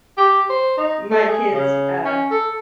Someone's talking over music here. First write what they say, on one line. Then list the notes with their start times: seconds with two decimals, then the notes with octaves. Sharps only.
my kids, uh
0.18 G4
0.50 C5
0.77 D#4
1.11 A3
1.28 G#4
1.53 C#3
2.05 C#4
2.31 A4